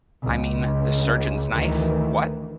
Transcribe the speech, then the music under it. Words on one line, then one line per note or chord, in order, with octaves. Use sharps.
I mean, the surgeon's knife, what?
C#2
D2 D#3 E3